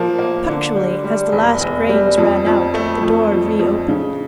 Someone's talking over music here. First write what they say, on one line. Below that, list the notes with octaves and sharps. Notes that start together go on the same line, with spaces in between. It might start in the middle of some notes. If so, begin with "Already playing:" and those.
Punctually as the last grains ran out, the door reopened.
Already playing: A#2 F3 A#3
A#3
D3
G3
G3
E1
E1
G3
F2
F2
A3
F2
F2
F2
C#3